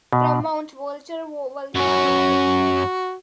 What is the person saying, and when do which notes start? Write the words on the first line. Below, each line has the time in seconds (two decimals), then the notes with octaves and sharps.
From Mount Vulture vulcano, Italy.
0.13 B2
1.76 F#2 C#4 F#4